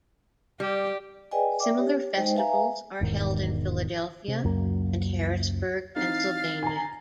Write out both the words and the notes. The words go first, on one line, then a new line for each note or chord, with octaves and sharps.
Similar festivals are held in Philadelphia and Harrisburg, Pennsylvania.
G3 G4
G#4 B4 D5 D#5 G5 G#5
D5 E5 G5 D6
G4 C#5
G#3 D#4 C5 D#5 G5
B4 E5 F5 G#5 A#5
E1 G#2 D#3
C3
C#2 F#2 F#3 A#3
E3 C4 D#4 F5 A6 C7
G#5 A#5